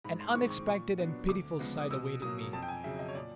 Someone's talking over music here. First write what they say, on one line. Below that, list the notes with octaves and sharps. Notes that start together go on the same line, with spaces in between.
An unexpected and pitiful sight awaited me.
G#2 B5
C6
D6
D#3 G#3 C4 C#6
C#6
A#2 C#6
F#3 B3 D4
D2 D6
C#3 F3 G#3 B3
D#6
B2 E6
F#3 A#3 D#6
F2 A5
G5
G#5
C#3 F#3 E5
D#5
C#5
A#2 D5